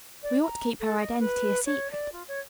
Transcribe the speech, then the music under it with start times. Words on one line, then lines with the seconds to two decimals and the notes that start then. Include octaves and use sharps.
We ought to keep her identity a secret.
0.23 D5
0.42 A#5
0.80 A4
0.98 D#5
1.19 B4
1.66 C#5
1.91 D5
2.12 F4
2.28 C#5